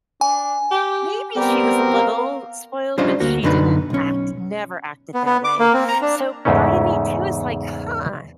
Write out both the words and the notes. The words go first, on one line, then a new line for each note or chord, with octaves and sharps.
maybe she was a little spoiled, but she didn't act never acted that way. So part of me too is like, "Huh,
D4 G#5
G4
G3 B3 C4 G4 A#4
A#3
G3 C#4 D4 F4 C5 D#5
D2 A#3 F#4
F#2 B2 D3 B3 D#4 B4
B1 C#4
B3
B3
D6
A#3
C4
A#5
D4
E2 G#2 C#3 A3 C#4